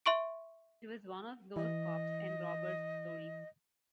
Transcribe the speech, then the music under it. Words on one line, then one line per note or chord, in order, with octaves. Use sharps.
It was one of those cops-and-robbers stories.
E5 C6 C#6 D7
E3 D#5